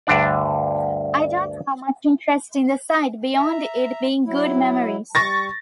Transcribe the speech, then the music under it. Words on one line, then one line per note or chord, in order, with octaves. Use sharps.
I don't have much interest in the site beyond it being good memories.
D2 G2 D3 D4 D5
E5 A#5
F#3 E4
G3 C#6 A6 A#6